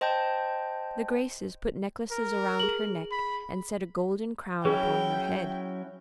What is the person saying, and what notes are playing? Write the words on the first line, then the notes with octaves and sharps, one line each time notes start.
The Graces put necklaces around her neck and set a golden crown upon her head.
C5 D#5 G5 A5 G6
A#4
G#4 F#7
B5
F#3 C#4 E4 G#4 B4 G5